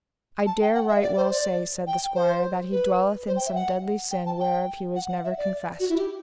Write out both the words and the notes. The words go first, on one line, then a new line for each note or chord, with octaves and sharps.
I dare right well say, said the squire, that he dwelleth in some deadly sin whereof he was never confessed.
A5
G5
F#5
E5
D5
C5
D5
G5
C5
B4
C5
G5
E5
F#5
G5
A5
G5
F#5
F#5
E5
D5
F#4
E4
G4